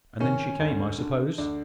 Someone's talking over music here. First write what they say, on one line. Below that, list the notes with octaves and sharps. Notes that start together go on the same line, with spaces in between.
"And then she came, I suppose."
D#3 C#4
D2
D3
D2 D4